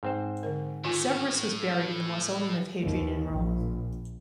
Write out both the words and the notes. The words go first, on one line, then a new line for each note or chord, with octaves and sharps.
Severus was buried in the Mausoleum of Hadrian in Rome.
G#2 C4 C5
D3 A#4
A2 D#3 F4 G#5
D#2
A#1